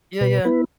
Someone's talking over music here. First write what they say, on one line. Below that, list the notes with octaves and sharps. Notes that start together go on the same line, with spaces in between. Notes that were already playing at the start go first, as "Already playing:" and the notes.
Yeah, yeah.
B2 B4
B3 E4 B4